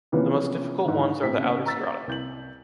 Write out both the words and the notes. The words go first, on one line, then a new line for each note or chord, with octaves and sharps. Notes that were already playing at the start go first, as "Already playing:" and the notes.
The most difficult ones are the outer strata.
C3 E3 F3 A#3 B3 C#4
G#2 D3 E3
A2 C4 B6
C#3 A#3
A#5 E6 A6 B6
C2 G6 F#7